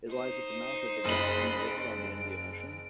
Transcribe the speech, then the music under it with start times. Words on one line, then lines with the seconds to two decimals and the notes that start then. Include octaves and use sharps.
It lies at the mouth of the Gascoyne River on the Indian Ocean.
0.10 D#4 C5
1.05 F#1 D#5 B5 F#7
1.68 D7